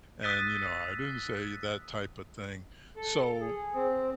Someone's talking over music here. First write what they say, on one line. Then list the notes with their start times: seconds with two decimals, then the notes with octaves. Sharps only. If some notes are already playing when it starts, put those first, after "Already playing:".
And, you know, "I didn't say," that typa thing. So,
0.23 D#6 E6 F#6 A6 B6 D#7
2.96 A4
3.41 G#4
3.74 C4